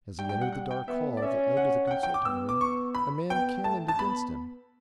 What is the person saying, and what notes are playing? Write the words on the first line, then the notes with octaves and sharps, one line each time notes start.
As he entered the dark hall that led to the consulting-room a man cannoned against him.
G3 G5
G5
F#5
F#5
G5
B3 E5
D5
C#4 E5
F#5
F#5
G5
G5
D6
B3 E6
D6
C#6
B5
B3 G5
A3 A5
A5
B3 B5